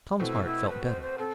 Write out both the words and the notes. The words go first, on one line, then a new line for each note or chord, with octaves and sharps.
Tom's heart felt better.
B2 A3 C4 E4
E4
B4
C5
C5
C4 A4